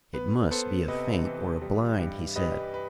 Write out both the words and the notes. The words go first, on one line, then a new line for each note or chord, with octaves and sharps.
"It must be a feint or a blind," he said.
B3 B4
B3 A4 C5
C3 B4 D#5
E3
G3
G2
G3 B4 D#5
B4